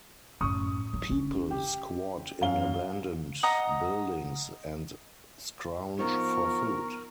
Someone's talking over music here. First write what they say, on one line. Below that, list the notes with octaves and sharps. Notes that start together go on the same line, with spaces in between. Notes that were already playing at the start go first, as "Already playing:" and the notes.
People squat in abandoned buildings and scrounge for food.
F#2 A2 C#6 D#6
F#3
C#4
G4
F#2 F5 G7
D#5 F#5 A#5 D#6
F3 B3 D#4 A#4 C#6